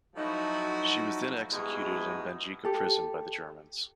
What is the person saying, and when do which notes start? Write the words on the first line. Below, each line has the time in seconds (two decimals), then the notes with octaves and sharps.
She was then executed in Banjica prison by the Germans.
0.16 F3 F#3 A3 D#4 E4 F#4
1.52 G#2 B2 G3 G#3 E4 F#4
2.65 G4 A4